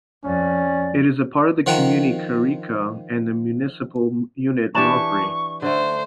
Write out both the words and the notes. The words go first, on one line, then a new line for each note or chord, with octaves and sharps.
It is part of the community Kareika and the municipal unit Movri.
F2 C#4 D5
D#3 F3 F#5 G5 A#5
E3 D4 G4 A5 C#6
D3 A3 C5